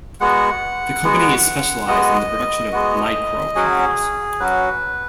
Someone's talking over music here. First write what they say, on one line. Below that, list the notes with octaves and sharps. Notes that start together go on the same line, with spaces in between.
The company is specialized in the production of microcars.
G#3 B3 F#4 F#5
G#3 B3 F#4
G#3 B3 F#4 D#5
G#3 B3 F#4
F#3 C#4 F#4 G#4
F#3 C#4 F#4 B4